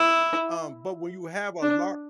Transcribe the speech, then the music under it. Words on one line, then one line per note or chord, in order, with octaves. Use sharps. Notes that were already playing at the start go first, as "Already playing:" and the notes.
um, but when you have a lar
Already playing: E4
D4